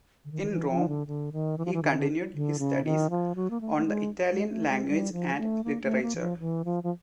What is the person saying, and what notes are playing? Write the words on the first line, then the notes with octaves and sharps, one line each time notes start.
In Rome, he continued his studies on the Italian Language and Literature.
D3
D#3
D#3
E3
F3
D3
D3
D#3
E3
F3
E3
D3
D#3
D3
D3
C#3
D#3
F3
F#3
A#3
A3
A3
G#3
G#3
A3
G#3
G3
F3
G#3
A3
A#3
A3
A#3
E3
F3
E3
F3
F3